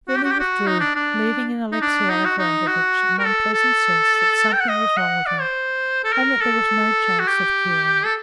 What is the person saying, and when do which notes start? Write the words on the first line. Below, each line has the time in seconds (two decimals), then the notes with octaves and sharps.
Then he withdrew, leaving in Alexey Alexandrovitch an unpleasant sense that something was wrong with him, and that there was no chance of curing it.
0.08 F#4
0.17 G4
0.24 F#4
0.31 G4
0.39 F#4
0.67 D#4
0.80 D4
0.96 D4
1.72 D#4
1.82 D4
2.10 D#4
2.24 F#4
2.38 D#4
2.67 F#4
3.19 A#4
3.25 A4
3.53 A4
4.53 G5
4.60 F#5
4.69 D#5
4.97 F#5
5.26 D5
5.41 C5
6.04 A4
6.12 A#4
6.41 A4
7.20 F#4
7.28 G4
8.05 A4